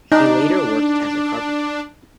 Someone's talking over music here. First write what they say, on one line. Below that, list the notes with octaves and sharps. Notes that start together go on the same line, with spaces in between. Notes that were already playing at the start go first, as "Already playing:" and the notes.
He later worked as a carpenter.
D4 D#4